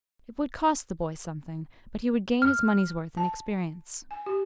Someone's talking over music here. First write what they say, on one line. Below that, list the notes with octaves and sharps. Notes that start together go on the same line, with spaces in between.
It would cost the boy something, but he would gain his money's worth in experience.
F6
A5
G#5
G4